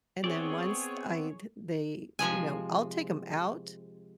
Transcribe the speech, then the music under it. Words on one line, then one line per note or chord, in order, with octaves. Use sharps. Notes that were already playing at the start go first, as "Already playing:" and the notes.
and then once I'd they, you know, I'll take 'em out,
B3 C4 G#4 C#5 D5
C3 F3 G#3 G#5